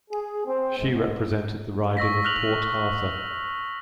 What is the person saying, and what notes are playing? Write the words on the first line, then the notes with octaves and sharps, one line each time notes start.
She represented the riding of Port Arthur.
G#4
C4
G#2
C#6 E6 A#6 B6
F6 F#6 F7 F#7